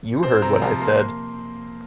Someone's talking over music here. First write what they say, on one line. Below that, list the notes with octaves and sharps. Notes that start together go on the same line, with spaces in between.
You heard what I said.
C4 C5
C3 A#5
F3 A#5
A#3 C6